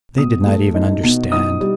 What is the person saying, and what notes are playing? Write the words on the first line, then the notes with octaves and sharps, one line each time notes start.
They did not even understand.
B2 D#6
A3
D#4
B2
D#4 D#6
G3